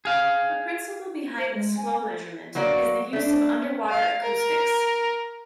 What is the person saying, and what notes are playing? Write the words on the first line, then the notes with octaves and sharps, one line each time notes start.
The principle behind this flow measurement is the use of underwater acoustics.
G#4 F5
C5
G#3
G#5
A4
F#3 A#3 F#4 D5
A3 D4
F5
A#4